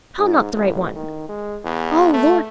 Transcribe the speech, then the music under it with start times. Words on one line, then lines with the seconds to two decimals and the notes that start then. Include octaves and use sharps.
How not the right one?... O Lord!
0.18 G#2
0.54 A1
0.95 D#3
1.29 G#3
1.64 E2
2.13 A3